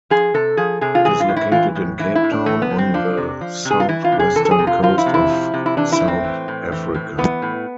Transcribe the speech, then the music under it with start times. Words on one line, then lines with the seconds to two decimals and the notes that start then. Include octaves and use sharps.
It is located in Cape Town, on the southwestern coast of South Africa.
0.10 F3 G#4
0.34 C3 A4
0.57 F3 G#4
0.81 C3 G#4
0.95 F4
1.05 E3 G#4
1.20 F4
1.29 A2
1.36 E4
1.52 E3 F4
1.75 A2
1.99 E3 E4
2.15 E4
2.24 A2
2.31 D4
2.46 E3 A3
2.62 B3
2.70 A2
2.78 C4
2.94 F3 D4
3.17 C3
3.41 F3
3.65 C3
3.71 G#4
3.80 F4
3.89 E3 E4
4.04 F4
4.12 C3
4.19 G#4
4.35 E3 A4
4.45 A4
4.51 G#4
4.59 C3
4.67 F4
4.83 F3 F4
4.98 E4
5.06 C3
5.14 E4
5.29 F3
5.54 C3
5.66 E4
5.77 E3 D4
5.92 E4
6.00 A2
6.08 C4
6.25 E3
6.48 A2
6.72 E3
6.94 A2
7.18 E3 B3
7.42 A2